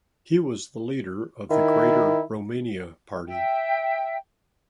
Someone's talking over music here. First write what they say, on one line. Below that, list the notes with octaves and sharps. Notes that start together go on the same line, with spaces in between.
He was the leader of the Greater Romania Party.
D#3 E4
E5 G5